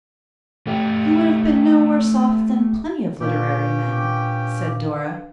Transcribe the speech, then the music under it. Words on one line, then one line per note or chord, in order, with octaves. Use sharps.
'You would have been no worse off than plenty of literary men,' said Dora.
A3 G4
A#2 C#4 D4 G4 B4 F5 G5